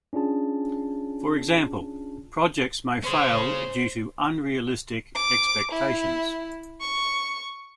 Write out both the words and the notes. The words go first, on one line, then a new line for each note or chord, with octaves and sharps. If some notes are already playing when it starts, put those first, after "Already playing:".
For example, projects may fail due to unrealistic expectations.
C#4 D4 F4 G#4 A5
C#4 G#4 C5
D6
E4
C#6